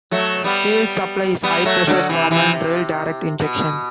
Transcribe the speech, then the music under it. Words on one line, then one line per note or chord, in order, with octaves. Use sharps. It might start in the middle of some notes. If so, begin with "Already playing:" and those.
Fuel supply is high-pressure common rail direct injection.
F#3 A3
G3 B3
G3 B3
F#3 A3
D3 F#3
C3 E3
C3 E3
C3
B2